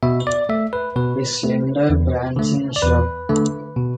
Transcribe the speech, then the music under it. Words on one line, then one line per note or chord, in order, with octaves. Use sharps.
A slender branching shrub.
B2 E5
D5
A3 E5
B4
B2 B4
A3
E2
D3 A3
D5
E2 B4
D3 A3
B2